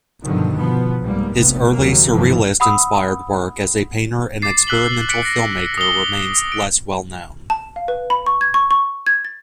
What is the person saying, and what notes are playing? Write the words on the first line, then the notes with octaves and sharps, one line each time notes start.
His early, surrealist-inspired work as a painter and experimental filmmaker remains less well known.
G2 B2 D3 D#3 F3 F#3
B2 F3 B3
C2 G#2 G3 A#3
F1 A#1 G2 B3
D#2 C#3 F#3 A#3
G1 A2 C3 E3 F3
F#5 B5 D#6 E6
D6 A6 C7
E6 F#6 B6 F#7 G7
F#6 B6 C#7 D7
F#6 A#6
D#6 G7
D7
A5
F5
B4
B5
C#6
G#6
C#6
C#6
G#6
A6